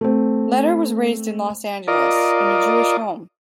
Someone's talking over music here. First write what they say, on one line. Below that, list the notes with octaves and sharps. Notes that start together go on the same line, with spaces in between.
Leder was raised in Los Angeles, in a Jewish home.
A3 C4
F4 A#4 D5 D#5